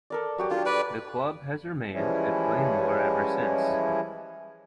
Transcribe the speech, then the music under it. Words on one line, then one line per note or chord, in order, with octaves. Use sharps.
The club has remained at Plainmoor ever since.
A4 A#4 D5
F#3 F#4 G4
D4 F4 A4 G5
B4 D5
E3 F3 G3 G#3 C#4 E4